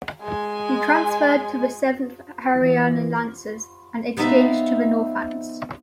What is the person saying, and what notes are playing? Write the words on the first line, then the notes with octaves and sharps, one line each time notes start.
He transferred to the Seventh Hariana Lancers, and exchanged to the Northants.
G#3 G#5
E3
F3 B3 D#4 E5 F5